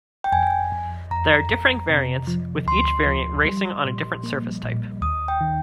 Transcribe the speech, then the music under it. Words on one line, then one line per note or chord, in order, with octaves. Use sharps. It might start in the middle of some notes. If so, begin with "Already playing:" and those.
There are differing variants, with each variant racing on a different surface type.
G5
F2 G#5
F2
F2 A#5
F2
C3
F3
D2 C6
F3
G3
A#2
A#3
A#2
D#2 D#6
G5
D#3